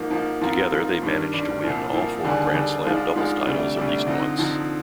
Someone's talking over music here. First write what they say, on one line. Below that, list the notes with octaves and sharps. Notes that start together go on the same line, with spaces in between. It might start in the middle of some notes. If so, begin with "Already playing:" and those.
Together they managed to win all four Grand Slam doubles titles at least once.
Already playing: G#2 F3 A#3
G#2 F3 A#3
G#2 F3 C4 F4 A#4
G#2 F3 C4 F4 A#4
G2 D#3 G3 D4
G2 D#3 G3 D4
C2 A#2 F3
C2 A#2 F3
D#2 D3 G3 D4 G#4
D#2 D3 G3 D4 G#4
G#2 F3 G#3 D4 F4
G#2 F3 G#3 D4 F4
D2 C3 G3 D4
D2 C3 G3 D4
D3 F3 C4 D#4
D3 F3 C4 D#4